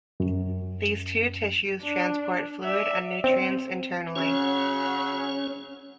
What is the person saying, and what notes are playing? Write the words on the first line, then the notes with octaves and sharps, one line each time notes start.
These two tissues transport fluid and nutrients internally.
F#2
D4
D5 E5
C4
C#3 F#3 C#4 F#4 C#5